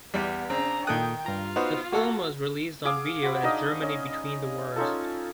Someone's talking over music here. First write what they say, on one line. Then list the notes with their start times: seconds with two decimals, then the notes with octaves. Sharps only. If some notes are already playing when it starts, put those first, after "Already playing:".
The film was released on video as Germany Between The Wars.
0.14 E2 G3 B3 D5
0.50 C#3 C4 D4 A#5
0.87 A#2 D#3 A4 G5 D#6 F#6
1.26 G2 F4 A#5
1.56 B3 D#4 F#4 C5
1.92 A#3 F#4 A4
2.85 G#4 F5 D6
3.22 F#4 C5 B5
3.43 D4 D#4 D#5 F5
3.81 C#4 D#5
4.76 C#4 D#4 F4 A4